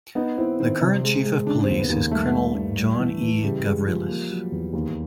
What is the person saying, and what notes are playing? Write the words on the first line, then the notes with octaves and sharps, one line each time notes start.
The current chief of police is Colonel John E. Gavrilis.
B3 D#4
C4 E4
D#3 C4
C3
G#3
G#3
C#3 D4
D#2 C4
B3
D#2
G2 A3
G3
G2
G3
E3
E3
C#3 G3
G#3
F3
A#3
F#3
E2
D#2